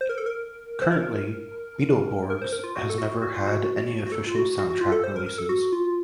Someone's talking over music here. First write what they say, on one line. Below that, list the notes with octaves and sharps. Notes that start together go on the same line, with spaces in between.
Currently, "Beetleborgs" has never had any official soundtrack releases.
C5
A#4
A4
A#4
C5
A#4
A#4
C5
A#4
F4
F#4
A4
F#4
F#4
F4
F#4
F#4
A4
F4
F#4
F#4
F#4
F4
A4
C5
A#4
A#4
A4
F#4
F4